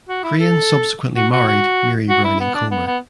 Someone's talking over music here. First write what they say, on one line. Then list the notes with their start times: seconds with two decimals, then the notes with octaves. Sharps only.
Crane subsequently married Mary Browning Comer.
0.09 F#4
0.24 E4
0.40 A4
1.17 F#4
1.33 F#4
1.48 F#4
2.10 F#4
2.25 E4
2.40 B3
2.55 D4
2.71 B3
2.87 B3